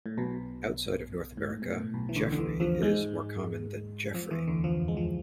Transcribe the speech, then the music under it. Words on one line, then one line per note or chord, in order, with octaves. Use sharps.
Outside of North America, "Geoffrey" is more common than "Jeffrey".
A2
B1 B2
G#2
A2
B2
A2
B1 B2
E3
D2 D3
D3
E2 E3
F2 F3
G#2 G#3
F2 F3
E2 E3
D2 D3
F2 F3
G#3
F3